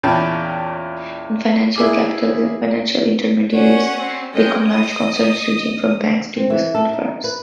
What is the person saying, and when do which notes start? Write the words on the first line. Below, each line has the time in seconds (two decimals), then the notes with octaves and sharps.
In financial capitalism, financial intermediaries become large concerns, ranging from banks to investment firms.
0.03 E2 A#2 C#4 G5 A5 B5
1.76 E4 G#4 D6
3.53 C#4 F#4 C#5 D5 F#5
3.96 C4
4.34 G#3 C#4 A4 C#5 D#5 G5
4.67 D#5 D#6
6.37 C4
6.50 E3
6.75 A4
6.93 D#4
7.24 B4